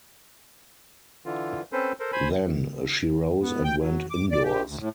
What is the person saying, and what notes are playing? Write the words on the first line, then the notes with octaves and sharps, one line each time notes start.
Then she rose and went indoors.
D3 E3 F4
C4 C#4 A4 B4 C5
A4 A#4 C5
C5 G#5 B5
B3
G5
F#3
D6
D5
G4
D2
A2